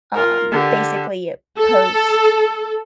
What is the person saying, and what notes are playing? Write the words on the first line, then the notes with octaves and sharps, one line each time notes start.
uh, basically post,
F4 A#4
D3 G4
A4